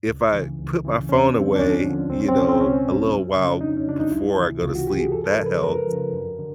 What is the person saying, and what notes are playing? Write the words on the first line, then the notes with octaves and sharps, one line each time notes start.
if I put my phone away, you know, a little while before I go to sleep, that helps.
C#2
C#3 E3
C#2
C#3 E3
D#2 C#4
D3 F3 C4
D4
D#2 C#4
D3 F3
C#2 C4
C#4
C4
B2 F#3 C#4
C4
C#2 C#4
B2 F#3
F2
C#3 F#3
C#4
D4
F2 D#4
C#4
C#3 F#3 D4
D#4
C#2 E4
C3 E3
C#2 F4
F#4
C3 E3 G4
G#4
F#2 A4
A4
A#4
C#3 F3
B4
F#2 A#4
C#3 F3
F#2
D3